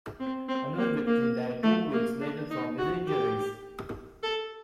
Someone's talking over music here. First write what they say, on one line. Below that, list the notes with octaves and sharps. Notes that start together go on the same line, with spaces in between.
Another victim died two weeks later from his injuries.
C4
C4
A#3
A#3
A3
A#3
D4
D#4
F#4
G4
A4